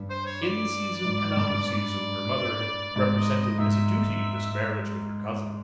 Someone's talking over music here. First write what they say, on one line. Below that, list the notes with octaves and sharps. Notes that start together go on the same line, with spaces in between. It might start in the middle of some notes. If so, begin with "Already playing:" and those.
In season and out of season her mother had represented as a duty this marriage with her cousin.
Already playing: G2
C5
C#5
D5
G#2
G2
D5
G#2 D5
D#5
D#5
G#2 E5